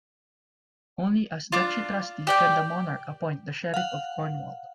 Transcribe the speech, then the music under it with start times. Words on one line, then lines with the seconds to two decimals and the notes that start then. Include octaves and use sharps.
Only as Duchy Trustee can the Monarch appoint the Sheriff of Cornwall.
1.52 D4 F4
2.27 G4 D5 G5
3.74 F5 F#5